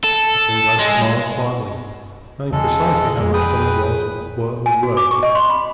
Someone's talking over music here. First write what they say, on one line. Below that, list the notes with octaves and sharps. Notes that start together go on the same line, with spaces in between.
Captain Blood smiled quietly, knowing precisely how much Don Miguel's word was worth.
A4
G#3
E2 C#3 G#3 G#4 A4
F2 G#3
G#4 B4 G5 D#6
G#5
F#4
D6
C#6
D#5
C6
B5